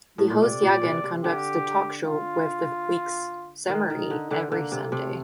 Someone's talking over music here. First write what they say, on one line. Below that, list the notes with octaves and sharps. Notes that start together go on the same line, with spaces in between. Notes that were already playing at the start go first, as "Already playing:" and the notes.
The host Jagan conducts the talk show with the weeks summary every Sunday.
A2
A#2
C3 D5
A#2
C3
C3
D3 G4
F4
D#3 D#4
D#3
D3
D3
D3 A#3
C3
C3 A3